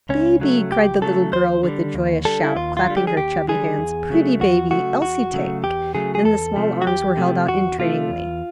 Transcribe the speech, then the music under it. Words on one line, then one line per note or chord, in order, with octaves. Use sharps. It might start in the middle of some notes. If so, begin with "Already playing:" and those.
"Baby!" cried the little girl, with a joyous shout, clapping her chubby hands, "pretty baby Elsie take"; and the small arms were held out entreatingly.
C#2 C#4
C#3 F#3 A3
C#2 G4
C#3 F#3 A3 A4
D#2 C5
D3 G3
D#2
D3 G3 A4
E4
D#2 F4
F4
D3 G3
G4
G#4
D#2 G4
D3 G3 G#4
E2
C#3 F#3 A3
E2 F#4
C#3 F#3 A3 F#4
E2 F#4
C#3 F#3 A3
E2 G4
C#3 F#3 A3 G#4
G#4
E2 A4
C3 F3 A3
F#4
E2 G4
C3 F3 A3
E2 F#4
C3 F3 A3 F4
E2